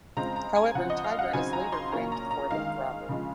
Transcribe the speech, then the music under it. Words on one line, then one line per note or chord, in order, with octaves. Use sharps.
However, Tiger is later framed for a bank robbery.
C#3 G#3 C4 F4 A#5
A#5
G#5
C#3 F3 C4 F#5
D#5
F5
F#5
C#3 F#3 C4 D#4 G#5
A#5
C6
A#2 F#3 A#3 C#4 F4 A#5
A#5
A#5
D#3 G#3 D#4 F5
C#3 F3 G#3